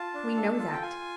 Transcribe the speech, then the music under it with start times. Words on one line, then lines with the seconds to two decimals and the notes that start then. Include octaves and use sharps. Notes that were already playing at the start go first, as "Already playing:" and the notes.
We know that.
Already playing: F4 A5
0.14 D4
0.36 A4
0.59 F4
0.72 G5
0.82 F4 G#5